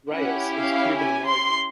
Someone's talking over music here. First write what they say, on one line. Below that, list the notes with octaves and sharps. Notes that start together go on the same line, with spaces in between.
Reyes is Cuban American.
C#4 E4 G4 F#5
F5
G#5
C6